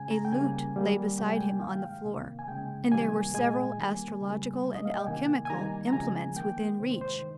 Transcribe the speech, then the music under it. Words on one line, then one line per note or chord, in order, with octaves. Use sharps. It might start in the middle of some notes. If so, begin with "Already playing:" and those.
A lute lay beside him on the floor, and there were several astrological and alchemical implements within reach.
Already playing: C#3 G#3 G#5
A#5
G5
C#3 G3 A#3 G#5
D#3 G3 A#3
C3 G3 A#3 G5
G#5
G5
D#3 G#3 F5
G5
F5
C3 D#3 A#3
G#5
C#3 G#3 G5
C3 D#3 G3 A#3 G#5
A#2 G#3 G#5
D#3 G3 A#3
C#3 G3 A#3
C3 G3 A#3
D#5
F5
G5
C3 D#3 A#3 G#5
G#5
D#3 G3 A#3 A#5
A#5
C#3 F3 G#3 G#5
D#3 A#3 G5
C3 D#3 G#3 C5
C5
C5
D#3